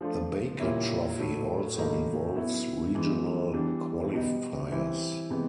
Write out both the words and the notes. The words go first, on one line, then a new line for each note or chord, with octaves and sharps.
The Baker Trophy also involves regional qualifiers.
F3 A3 D4 F4
A#2 G3 A#3 C#4 E4
A2 F#3 A3
A2 F#3 A#3 D#4
F#3 B3 E4
E3 G#3 B3
E3 G3 B3 D4
B2 G3 B3 D#4
E3 G3 C4 E4
C3 E3 G#3 B3